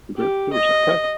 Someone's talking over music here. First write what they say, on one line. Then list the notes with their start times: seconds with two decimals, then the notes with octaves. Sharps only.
The Great Believers, okay.
0.17 G4
0.53 D#5